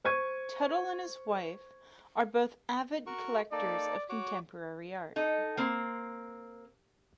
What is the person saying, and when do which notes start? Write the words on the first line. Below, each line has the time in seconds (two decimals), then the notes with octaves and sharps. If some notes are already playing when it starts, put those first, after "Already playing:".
Tuttle and his wife are both avid collectors of contemporary art.
0.04 C5 C#6 G#6 D#7
3.07 F#4 A#4 C#6
3.52 A#3 D#4 A4 D5
4.09 F#4 C#5 D6
5.16 D#4 A4
5.57 A#3 C4